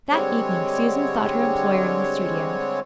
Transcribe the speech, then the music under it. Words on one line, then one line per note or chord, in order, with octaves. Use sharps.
That evening Susan sought her employer in the studio.
D3 G3 G#3 C4 C#5